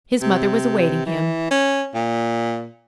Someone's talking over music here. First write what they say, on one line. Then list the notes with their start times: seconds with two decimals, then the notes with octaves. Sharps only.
His mother was awaiting him.
0.22 C3
1.06 E3
1.51 C#4
1.94 A#2